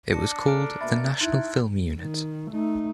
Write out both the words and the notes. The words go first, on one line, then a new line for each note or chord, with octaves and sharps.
It was called the National Film Unit.
D4 A5 A#6 C#7
D2 A4 A#5 F6 D7
B2 A#3 E5 B5 A6
D#4 E4 E5 C6 F#6 G#6
D#3
A3 D#4